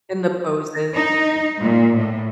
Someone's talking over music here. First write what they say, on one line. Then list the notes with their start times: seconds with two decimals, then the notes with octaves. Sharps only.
And the poses.
0.94 D#4
1.61 A#2
1.97 A2